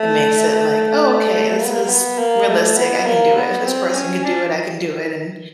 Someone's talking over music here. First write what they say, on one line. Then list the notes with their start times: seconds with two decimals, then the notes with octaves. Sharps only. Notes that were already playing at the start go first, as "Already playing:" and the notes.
It makes it like, "Oh, okay, this is realistic, I can do it. If this person can do it, I can do it." And,
Already playing: A3
1.59 A#3
1.66 B3
1.73 A#3
1.84 A#3
1.89 B3
2.19 A#3
2.48 A3
2.77 B3
3.07 A#3
3.36 B3
3.65 C4
3.95 C#4
4.24 D4